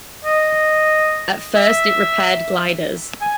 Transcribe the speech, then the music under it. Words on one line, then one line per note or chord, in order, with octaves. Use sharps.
At first it repaired gliders.
D#5
E5
G#5